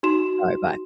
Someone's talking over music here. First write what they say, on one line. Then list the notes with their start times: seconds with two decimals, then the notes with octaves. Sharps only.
Alright, bye.
0.03 D#4 F#4 C6 E7